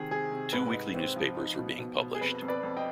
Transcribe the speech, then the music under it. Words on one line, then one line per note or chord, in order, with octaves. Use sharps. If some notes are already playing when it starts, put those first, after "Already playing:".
Two weekly newspapers were being published.
Already playing: C3 D#3 G#4
C3 G#4
C3
G#2 B4
D#4
C4
F3
D#4
B2
B2
B2
G#4
F2 B4
F2
B4 D5
F2
D#5 G5